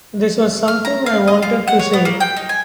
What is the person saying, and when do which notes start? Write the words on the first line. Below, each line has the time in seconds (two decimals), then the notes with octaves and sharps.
This was something I wanted to say.
0.68 F6
0.85 A#5
1.06 F5
1.28 D#5
1.42 F4
1.68 F#5
1.79 C#5
1.93 B3
2.05 A#3
2.20 G5
2.37 D#4
2.49 G#5